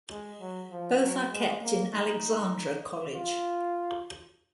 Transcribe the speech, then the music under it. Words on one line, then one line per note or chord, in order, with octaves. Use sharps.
Both are kept in Alexandra college.
G#3
F#3
F3
F#3
G#3
A#3
D#4
F4